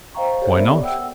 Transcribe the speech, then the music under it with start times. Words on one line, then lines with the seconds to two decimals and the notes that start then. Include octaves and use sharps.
"Why not?"
0.15 C5 D#5 F5 G5 A#5 C#6
0.42 G4 A4 C5 C#5
0.56 B3 G4 A#4 D5 E5
0.83 F#5 G5 E6